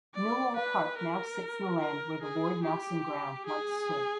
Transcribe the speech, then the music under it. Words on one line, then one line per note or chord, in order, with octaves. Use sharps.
Millwall Park now sits on the land where the Lord Nelson Ground once stood.
D5
B4
A#4
A#4
G#4
G4
G#4